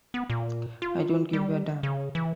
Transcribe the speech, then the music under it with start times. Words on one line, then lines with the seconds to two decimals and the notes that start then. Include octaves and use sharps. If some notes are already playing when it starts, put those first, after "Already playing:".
I don't give a damn.
0.14 B3
0.30 A#2
0.82 F4
1.33 G3
1.83 C#3
2.15 E3